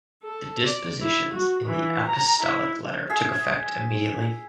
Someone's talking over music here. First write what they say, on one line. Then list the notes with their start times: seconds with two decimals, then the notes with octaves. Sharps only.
The dispositions in the apostolic letter took effect immediately.
0.25 A4
0.65 D5
1.01 E4
1.34 F#4
1.65 E3
2.08 A#5
2.41 E4
3.10 G#4 E5